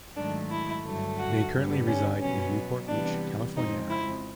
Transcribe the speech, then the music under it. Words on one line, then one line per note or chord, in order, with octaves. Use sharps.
They currently reside in Newport Beach, California.
G#2 D#3 F#3 A3 D4
E4
G2 D3 F#3 A3
F#4
G2 D3 G3 B3
C#4
B2 F#3 B3 C#4
C3 E3 G3 B3 D4
F2 C#3 F3 G#3 C4 D#4
E4